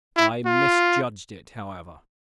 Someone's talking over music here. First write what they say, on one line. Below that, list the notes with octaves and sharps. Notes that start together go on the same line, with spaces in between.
I misjudged it, however.
E4
F4